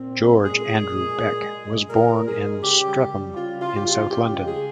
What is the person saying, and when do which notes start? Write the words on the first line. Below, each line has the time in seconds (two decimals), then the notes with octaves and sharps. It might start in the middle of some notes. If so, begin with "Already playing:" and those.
George Andrew Beck was born in Streatham, in south London.
Already playing: A#2 C4
0.19 G#3
0.43 A#2 G#4
0.68 A#2
0.92 G#3
1.16 A#2
1.41 G#3
1.66 G#3
1.90 A#2 A#4
2.14 A#2
2.26 G#4
2.39 G#3
2.63 C#3 G4
2.87 G3
3.11 G3
3.36 C#3 F4
3.61 C#3 F4
3.76 G4
3.85 G3 F4
4.09 C#3 G4
4.34 G#3
4.47 G#4